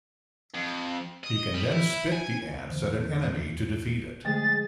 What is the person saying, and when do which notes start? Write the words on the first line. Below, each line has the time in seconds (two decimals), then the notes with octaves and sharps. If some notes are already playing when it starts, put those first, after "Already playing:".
He can then spit the ants at an enemy to defeat it.
0.54 F2
1.24 D#5
1.54 G3
1.71 E4
2.12 G#5
2.69 E2 D3
4.25 D3 F3 G#3 A3 G#4 A6